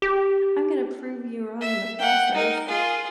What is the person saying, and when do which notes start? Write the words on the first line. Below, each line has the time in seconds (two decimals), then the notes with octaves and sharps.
I'm gonna prove you wrong in the process."
0.02 G4
1.61 E5
1.99 F#5 G5
2.34 D#4 A#4
2.68 F4 G#4